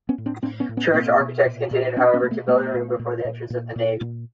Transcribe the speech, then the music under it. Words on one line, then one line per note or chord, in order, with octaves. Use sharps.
Church architects continued, however, to build a room before the entrance of the nave.
B3 C#4
A2
C4 D4
A2 C4 D4
B3 C#4
A2
B3 C#4
B2 A#3 C4
B2
A#2
A#2
B2 C4 D4
B3 C#4
B2 A#3
A3 B3
A#2 A3 B3
A#2
A#2
A#2
A#2
A#2
A#2